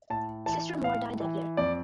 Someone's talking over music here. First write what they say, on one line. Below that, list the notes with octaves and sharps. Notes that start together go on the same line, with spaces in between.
Sister More died that year.
A2 A5
E3 A5
A2 F5
E3
F2 D5